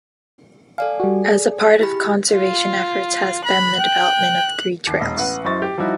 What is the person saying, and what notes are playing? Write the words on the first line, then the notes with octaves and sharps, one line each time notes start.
As a part of conservation efforts has been the development of three trails.
A4 D5 F5 G#5
G3 F#4
G#4
E4 G4 B5
F4
B5 F#6
G5
D#2 C7
E1 D#5
A1 B4 F#5
F#2 E4 C5 D#5 C#6 A6
G4
F3 G3 D#4 E4 F#4